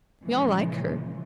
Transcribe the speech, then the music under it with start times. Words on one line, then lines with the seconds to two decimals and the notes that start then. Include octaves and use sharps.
We all like her.
0.24 A#2 C#3 E3 F3 G#3